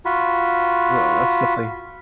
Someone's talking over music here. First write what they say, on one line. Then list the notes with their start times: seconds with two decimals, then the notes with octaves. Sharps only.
Ugh, that's definitely
0.05 F4 F#4 B5